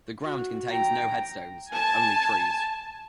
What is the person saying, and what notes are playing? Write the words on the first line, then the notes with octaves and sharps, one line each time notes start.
The ground contains no headstones - only trees.
F#4
G5 A#5
G#5 A5